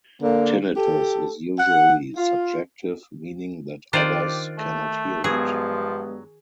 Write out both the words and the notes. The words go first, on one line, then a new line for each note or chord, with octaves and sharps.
Tinnitus is usually subjective, meaning that others cannot hear it.
D3 A#3
G4 A4
F#5
F4
D#3 D4 F4 G4 C5 D5
A3
G2 F3 F#3 G#3 B3 G#4